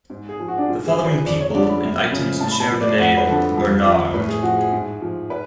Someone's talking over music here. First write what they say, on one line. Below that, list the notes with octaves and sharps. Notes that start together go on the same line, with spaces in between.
The following people and items share the name Bernard.
G#2
G#4
F3
F#4
D4
G#2 F4
G#4
F3
B4
F2 D5
C#5
D3 F3 D5
B5
F#2
C#3 F3
A2 A5
B5
A5
F3
D5
F2 F#4
B4
D3 F3 A4
F2
F3
A2 B4
G#4
F3 F#4
G#4
G#2
F3
B4